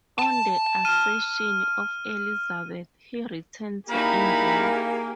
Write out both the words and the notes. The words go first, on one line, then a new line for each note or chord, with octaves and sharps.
On the accession of Elizabeth he returned to England.
A5
F6 D#7
A#3 D#4 E4 G4 G#4 B5